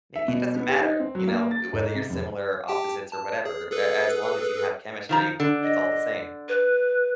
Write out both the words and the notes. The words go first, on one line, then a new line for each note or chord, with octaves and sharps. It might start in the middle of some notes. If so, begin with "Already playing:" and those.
maybe it doesn't matter, you know, eh whether you're similar or opposites or whatever. A as long as you have chemistry, it's all the same.
E5
B2
B3
G4
D#4
C4
F#3
A#3
A6
G#2
C3
F1
G4 G5 A5
A5
G#4
G#4 A4 B4
D#3 F3 A#5
D3
D#5
B4